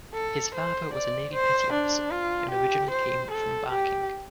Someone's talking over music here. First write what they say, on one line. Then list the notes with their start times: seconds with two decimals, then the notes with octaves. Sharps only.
His father was a Navy petty officer, and originally came from Barking.
0.14 A4
0.54 C5
0.94 D5
1.33 C5
1.73 D4
2.11 F4
2.51 G4
2.90 C5
3.31 A4
3.70 G4